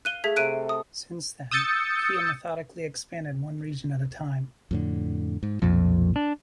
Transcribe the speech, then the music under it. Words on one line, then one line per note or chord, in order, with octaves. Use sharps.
Since then, Kia methodically expanded one region at a time.
F5 F#6 D#7 G7
A3 G#4 G#6 B6
C3 A4 F#6 D7 D#7
D#6
D#6 E6 G6 A6 C#7
F2 A2 D3
G#2
B1 F2 A#2
D4